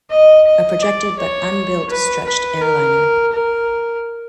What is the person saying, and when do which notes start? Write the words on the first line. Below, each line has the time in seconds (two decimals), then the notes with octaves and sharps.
A projected but unbuilt stretched airliner.
0.10 D#5
0.47 D#5
0.82 D5
1.19 C#5
1.89 B4
2.26 B4
2.60 A#4
3.32 A#4